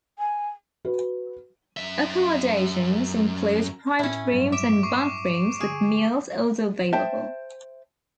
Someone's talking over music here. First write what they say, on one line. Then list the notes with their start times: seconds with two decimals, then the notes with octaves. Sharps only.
Accommodations include private rooms and bunkrooms, with meals also available.
0.19 G#5
0.85 F#4 B4
1.77 F#2 E5
3.99 A2 C#4 E4
4.32 G2 F#3 G3
4.52 E5 D6 D7 E7
4.83 C#6 D6 C7
5.60 D3 G#4
6.93 C5 E5 G5 A5